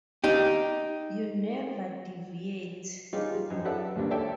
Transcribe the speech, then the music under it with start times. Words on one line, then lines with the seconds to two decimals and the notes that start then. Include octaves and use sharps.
You never deviate.
0.24 D#4 G4
3.13 G3 D#4 F4 G4 G#4
3.34 G3
3.50 F#2 F3 D#4
3.65 G4 A4 B4 D5 E5 F#5
3.95 D#2 G#2 G3 A#3 D4
4.11 A4 C#5 D5 E5 G5